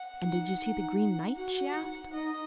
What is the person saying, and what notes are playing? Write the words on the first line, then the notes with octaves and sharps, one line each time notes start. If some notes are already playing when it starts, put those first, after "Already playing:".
'And did you see the Green Knight?' she asked.
Already playing: F#5
D#4
D#4
F#4 F#5
F#4
D#4
D#4 D#5